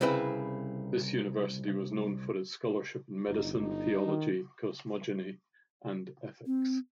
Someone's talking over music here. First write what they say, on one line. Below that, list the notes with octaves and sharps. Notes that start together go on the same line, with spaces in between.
This university was known for its scholarship in medicine, theology, cosmogeny and ethics.
C2 C#3 C4 E4 B4
G1 D#4
D#4
D#3
C4